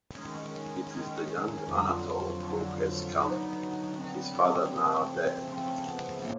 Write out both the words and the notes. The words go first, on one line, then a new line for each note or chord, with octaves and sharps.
It is the young Anatol who has come, his father now dead.
D#3 G#3 C#4
D#3 G#3 C#4
F2 D3 F#3 F4
F2 D3 F#3
D3 F#3 B3 D#4
D3 F#3 B3 C4
C#3 F3 A3
C#3 F3 A3 C4
B3
B3
A2 A#3